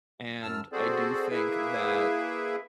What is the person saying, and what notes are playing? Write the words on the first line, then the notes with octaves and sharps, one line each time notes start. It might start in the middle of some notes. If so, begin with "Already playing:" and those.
and I do think that,
F#2 A5 E6 F6
C4 F#4 G#4 A4 C5 D5
A#3 E4 G#4 B4 E5